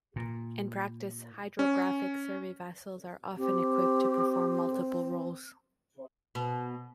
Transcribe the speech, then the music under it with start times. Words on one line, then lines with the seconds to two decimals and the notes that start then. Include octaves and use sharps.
In practice, hydrographic survey vessels are often equipped to perform multiple roles.
0.16 A#2
1.59 C#4
3.37 C4 G4
6.35 B2